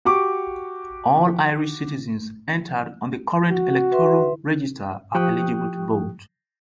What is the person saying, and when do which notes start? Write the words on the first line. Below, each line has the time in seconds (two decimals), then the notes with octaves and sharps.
All Irish citizens entered on the current electoral register are eligible to vote.
0.05 F#4 G4 C#6 D6
3.51 F#4
3.92 B4 E5 C6
5.15 F3 G4 G5 C#6 D#6 F#6